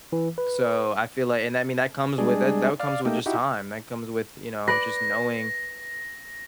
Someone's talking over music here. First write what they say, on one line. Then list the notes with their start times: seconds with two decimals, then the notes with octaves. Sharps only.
So, I feel like and, I mean, that comes with that that comes with just time; that comes with, you know, just knowing,
0.12 E3
0.38 B4
2.18 G3 G#3 D4 G#4
2.80 D5 F5
3.05 A3 A#3 D#4 G4
3.26 D#4 E4 F#4 G4
4.68 B4 D5 A#6